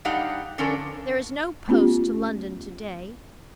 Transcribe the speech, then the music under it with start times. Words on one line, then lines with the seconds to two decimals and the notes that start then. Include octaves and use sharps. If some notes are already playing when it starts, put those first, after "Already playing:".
There is no post to London to-day.
0.05 G3 D4 D#4 G4 F5 F#5
0.58 D3 F3 C#4 D4 A4 A#4
1.68 A3 B3 C#4 F4 G4